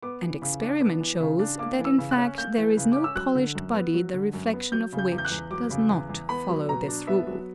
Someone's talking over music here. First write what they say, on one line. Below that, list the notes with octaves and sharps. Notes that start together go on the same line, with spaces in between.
And experiment shows that in fact there is no polished body the reflexion of which does not follow this rule.
B3 D6
E3
C#3
D4
B3
E3
C#3
D4
A#3 D6
E3
E6
C#3
F#6
C#4
A#3 G6
E3
C#3
C#4 D6
E6
F#3 F#6
D3
F#2
B3
F#3
D3
F#2
B3
F#3 G6
C#3
G6
E2
G6
F#6
E2
F#3 D6
C#3
E2
E2
B3 B5
F#3
B2 A#5
D4
B3 E5
F#3